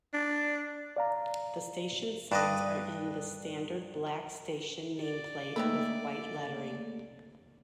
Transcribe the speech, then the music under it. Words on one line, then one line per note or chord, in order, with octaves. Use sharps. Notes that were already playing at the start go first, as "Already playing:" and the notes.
The station signs are in the standard black station name plate with white lettering.
D4
D5 F5 A#5
G2 D4 B4 D#5
D5
D#3 E3 A3 A#3 E4 A4